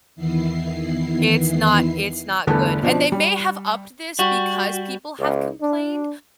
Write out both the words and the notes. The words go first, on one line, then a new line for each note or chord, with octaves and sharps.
it's not it's not good and they may have upped this because people have complained,
E2 D#3 E3 B3 E4 C7
G1 E2 D3 A3 B3 A5
B2 F3 D4
G3
G3 F#4
C#2
D4